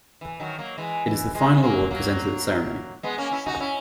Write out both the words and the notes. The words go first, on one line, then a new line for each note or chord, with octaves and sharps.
It is the final award presented at the ceremony.
E3
D#3 F#3
F#3 A#3
E3 G#3
E3
E3 G#3
G#3
F#3 A#3
F#3 A#3
G#3 B3
A#3 C#4
C#4 E4
D#4 F#4
C#4 E4